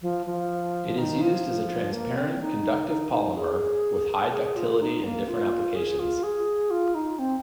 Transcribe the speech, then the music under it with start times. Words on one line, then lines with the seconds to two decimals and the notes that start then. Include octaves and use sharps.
It is used as a transparent, conductive polymer with high ductility in different applications.
0.02 F3
0.26 F3
0.98 D#3
1.21 F3
1.93 A#3
2.17 C4
2.41 D#4
2.88 D#4
3.12 D#4
3.37 G#4
4.32 G#4
4.56 F4
4.80 D#4
5.04 A#3
5.28 F4
5.75 G#4
5.99 F4
6.23 G#4
6.71 F4
6.95 D#4
7.19 C4